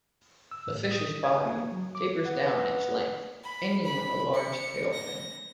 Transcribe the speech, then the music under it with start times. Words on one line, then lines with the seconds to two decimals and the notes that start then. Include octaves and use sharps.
The fish's body tapers down its length, ending with a large tail fin.
0.51 E6
0.67 A2
0.91 D#6
1.24 G#6
1.45 A#3
1.72 F#3
1.95 D6
2.25 B3
3.43 B5
3.85 B5
4.34 C#7
4.93 A#6